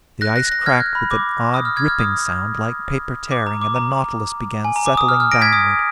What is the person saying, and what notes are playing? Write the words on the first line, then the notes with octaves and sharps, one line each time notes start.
The ice cracked with an odd ripping sound, like paper tearing, and the Nautilus began settling downward.
F#6 A#6
F#6 A#6
F#6 A#6
F6 G#6
F#6
B5
D6
D#6
F6
F6 G#6
F6
D#6
D6
A#5
D6
A#5
G#5
A#5
D6
D#6
F6
F6
A#6 D7
G#6 B6
D#6